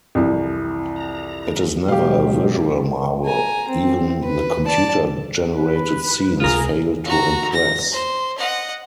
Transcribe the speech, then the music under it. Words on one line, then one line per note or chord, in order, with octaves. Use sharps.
It is never a visual marvel - even the computer-generated scenes fail to impress.
C2 F2 E3
A#5
B2 F#3 G#3 G4 F5
G#5 A#5
C4
B4
D5 A5
B4
C#2 C3 F4 G#4 A#4
F#4 A#5
A#6
C5
D#5 F#5